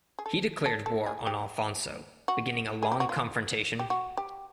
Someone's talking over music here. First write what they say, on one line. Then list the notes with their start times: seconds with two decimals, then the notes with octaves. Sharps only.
He declared war on Alfonso, beginning a long confrontation.
0.19 G#4
0.26 A4
0.66 A4
0.86 A4
1.06 G#4
1.27 G4
2.28 F#4
2.83 G#4
2.92 G4
3.00 F#4
3.09 F4
3.79 G4
3.90 F#4
4.17 G4